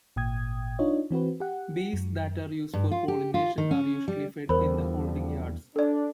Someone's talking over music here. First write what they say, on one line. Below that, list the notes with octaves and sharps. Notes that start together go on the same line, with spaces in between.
Bees that are used for pollination are usually fed in the holding yards.
G#1 A#2 G5 D#6 G#6
D4 D#4 F4 C#5 D#5
E3 C4 F#4 B4
G4 F#5
F#2
G2
F4
G4
F4
D#3
C#4
G3
E2 D3 F3 G3 A#4 C5 B5
D4 A4 D5